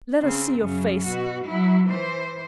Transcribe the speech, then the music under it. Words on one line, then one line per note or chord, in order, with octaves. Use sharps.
Let us see your face!
C#3 C4
F#2 C#3
B2 F#4
F#3 E4
E3 C5